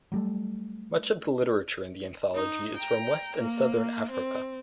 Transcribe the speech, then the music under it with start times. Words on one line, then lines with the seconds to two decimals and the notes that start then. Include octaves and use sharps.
Much of the literature in the anthology is from West and Southern Africa.
0.12 F#3 G3 A3
2.35 D#4
2.77 G5 A#5
3.38 A#3
4.11 C4